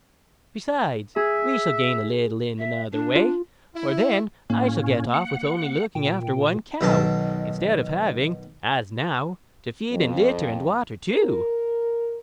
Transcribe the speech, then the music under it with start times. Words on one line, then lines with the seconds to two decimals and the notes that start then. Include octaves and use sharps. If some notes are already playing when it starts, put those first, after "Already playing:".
Besides, we shall gain a little in another way, for then I shall get off with only looking after one cow, instead of having, as now, to feed and litter and water two.'
1.16 G#4 E5
2.59 E5
2.92 D4
3.16 F4
3.75 E4
4.50 A2 A#3 C#4
5.14 F#5
5.95 A#2 G5
6.81 B1 B2 D#3 A4 A5
9.92 F2
11.12 A#4